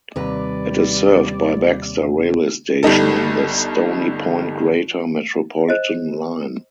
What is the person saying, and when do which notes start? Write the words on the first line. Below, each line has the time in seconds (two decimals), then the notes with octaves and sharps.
It is served by Baxter railway station on the Stony Point greater-metropolitan line.
0.16 D#2 C3 G3 B4 D5
2.83 G1 G3 D#4 A4
5.68 C5 D#5